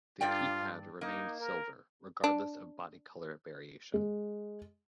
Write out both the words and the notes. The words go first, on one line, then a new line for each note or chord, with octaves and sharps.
The keypad remained silver regardless of body color variation.
G2 F4 D5 G5
A#3 D#4
A#4
D4
G#3